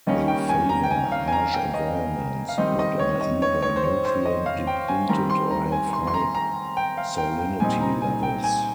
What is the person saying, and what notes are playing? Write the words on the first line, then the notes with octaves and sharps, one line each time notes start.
They favour harsh environments that are either nutrient-depleted or have high salinity levels.
D#3 G3 A#3 C#4 D#5
G5
G#5
A#5
G5
G#5
F5
G#5
A#5
G5
D#5
F5
D#3 G3 C4 D#4 D#5
D#5
C#5
D#5
C#5
C#5
C5
C#5
C5
D#5
F5
G5
G#5
D#3 G3 C4 A#5
C6
A#5
G#5
C6
C6
A#5
A#5
G5
F5
G5
G5
A#2 G3 C4 D#4 G#5
A#5
G#5
G5
G#5